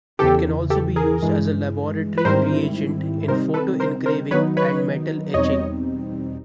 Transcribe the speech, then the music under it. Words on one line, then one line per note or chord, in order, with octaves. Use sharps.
It can also be used as a laboratory reagent in photoengraving and metal etching.
E2 C#3 E3 G4 A4
G4 A4
G#4 A#4
G2 E3 G#3
B4
G#2 D#3 G3 C4 E4 A#4 C5
C3 D#3 G3 C4 D#4 A#4 C5
A4 B4
A#4 C5
A#4 C5
D#3 F#3 B3 D#4 B4 C#5
B4 C#5
E2 B2 G3 C4 D#4 C#5 D#5